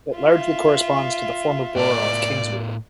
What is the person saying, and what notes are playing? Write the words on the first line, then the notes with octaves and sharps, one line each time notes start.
It largely corresponds to the former borough of Kingswood.
F4 E5
A2 A#4 D5